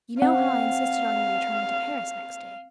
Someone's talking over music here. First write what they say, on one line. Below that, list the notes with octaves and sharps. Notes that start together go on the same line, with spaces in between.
You know how I insisted on your returning to Paris next day.
C4 F5 F#5